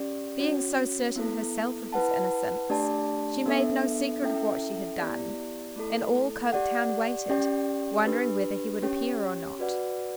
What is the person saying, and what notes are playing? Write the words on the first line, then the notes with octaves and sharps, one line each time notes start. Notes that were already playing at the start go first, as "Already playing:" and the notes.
Being so certain herself of his innocence, she made no secret of what she had done, and all Coketown waited, wondering whether he would appear or not.
Already playing: C#4 G4 D5
C#4 F#4 C#5
B3 E4 A4
E4 B4 F#5 A5
A3 D4 G4 D5 A5
B3 D4 A4 E5
C#4 E4 A4 E5 G5
B3 E4 G4 D5
A3 E4 A4
G4 D5 F#5
C#4 G4 D5 G5
D4 G4 B4
C#4 G4 C#5 G5
F#4 B4 D5 F#5